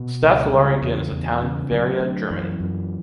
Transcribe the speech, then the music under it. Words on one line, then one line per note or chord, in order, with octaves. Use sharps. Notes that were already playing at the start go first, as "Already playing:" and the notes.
Stadt Lauringen is a town in Bavaria, Germany.
Already playing: B2
C#2
C#3 G3
E2
E2
C#3
D2 F#3
D2
F#2 E3
F#2